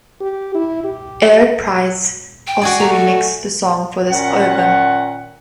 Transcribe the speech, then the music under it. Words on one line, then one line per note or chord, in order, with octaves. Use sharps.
Eric Prydz also remixed the song for this album.
G4
E4
G4
G5
F#4 G#4 D5
A3 A#5
F#4
A#2 D#3 C#4 F#5